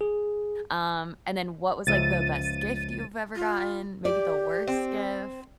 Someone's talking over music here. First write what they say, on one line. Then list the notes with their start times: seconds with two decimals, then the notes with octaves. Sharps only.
um, and then what was, like, the best gift you've ever gotten, maybe the worst gift?
0.01 G#4
1.87 C#2 F3 E5 A6 D#7
3.35 F4
4.05 G4 D5
4.67 C4